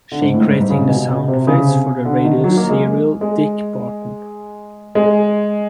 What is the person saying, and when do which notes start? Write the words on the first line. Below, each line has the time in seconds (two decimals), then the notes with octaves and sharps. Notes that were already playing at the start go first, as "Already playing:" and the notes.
She creating the sound effects for the radio serial "Dick Barton".
0.12 D3
0.21 G#2
0.34 A2
0.41 G#2
0.51 G2
0.61 G#2
0.70 C#3
0.80 C3
0.89 B2
1.09 B2
1.28 C3
1.47 C#3
1.66 C3
2.05 D3
2.25 D#3
2.44 F#3
2.57 A#3
2.70 G#3
3.21 G#3
4.95 G#3